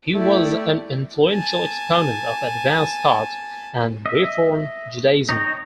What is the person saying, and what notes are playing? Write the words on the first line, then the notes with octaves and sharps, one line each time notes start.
He was an influential exponent of advanced thought and Reform Judaism.
A3 E4 G4 D5
G#5 A5
D#5 E5
D#4 C#5 D#5 G5